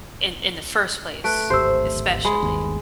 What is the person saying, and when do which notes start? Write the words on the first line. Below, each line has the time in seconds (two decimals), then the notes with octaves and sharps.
in in the first place, especially.
1.24 A3 B4 F#6 D7
1.50 D1 G#1 G4 C5 E6
2.25 G#3 B5
2.43 G1 D#2